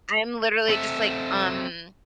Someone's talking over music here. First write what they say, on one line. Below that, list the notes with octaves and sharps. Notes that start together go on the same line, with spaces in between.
I'm literally just, like, um
C4 A4 E5